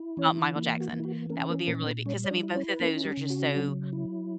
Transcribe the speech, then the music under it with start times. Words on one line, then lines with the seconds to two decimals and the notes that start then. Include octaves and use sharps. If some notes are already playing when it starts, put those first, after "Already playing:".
ho uh, Michael Jackson. That would be a really big 'cause I mean, both of those are just so
Already playing: E4
0.17 E3 C#4 C#5
0.56 A#3 E4
0.81 F#4
0.93 E3
1.00 E4
1.05 F#4
1.30 A#3 C#4 A#4
1.49 A#3 A#4
1.67 A#2 A#3 A#4
1.87 B3 B4
2.06 G3 C#4 C#5
2.24 C#5
2.30 D4 D5
2.43 E4
2.55 C#4 C#5
2.68 B4
2.80 A#3 C#4 A#4
3.05 G3 G4
3.17 C#3
3.30 F#4
3.56 F#3
3.93 E4